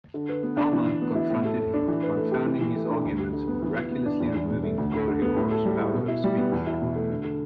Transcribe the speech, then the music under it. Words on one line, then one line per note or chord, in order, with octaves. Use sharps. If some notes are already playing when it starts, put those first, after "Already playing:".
Alma confronted him, confounding his arguments and miraculously removing Korihor's power of speech.
D3
B4
B3
D4
E3
E3
B3
E4
A2
A4
A3
D4
E3
B4
A3
G4
E3
E3
A3
D4
D2
G4
D3
B3
E3
E3
B3
D4
E2
E2
B2
A3
D2
D2
D3
B3
A2
A4
G3
E4
B2
E4
G3
B3
E2
E4
B2
A3
D3
D3